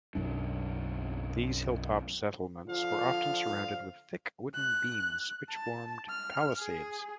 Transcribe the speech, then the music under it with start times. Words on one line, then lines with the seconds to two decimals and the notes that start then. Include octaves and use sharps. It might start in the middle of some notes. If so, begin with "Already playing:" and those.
These hilltop settlements were often surrounded with thick wooden beams which formed palisades.
0.15 B1 F#2 D4
2.68 D3 F3 F4 F5
4.54 F#6
5.50 A5
6.09 F6
6.59 G#4